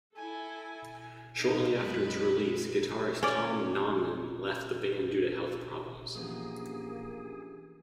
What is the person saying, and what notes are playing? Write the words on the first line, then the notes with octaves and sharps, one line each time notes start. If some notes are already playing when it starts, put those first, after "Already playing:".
Shortly after its release guitarist Tom Naumann left the band due to health problems.
E4 A4 G#5
D#4 F4
F#2 G#3 B4
C#4 D5
E3 F3 A#3 B3 C#4 D4 G4 G#4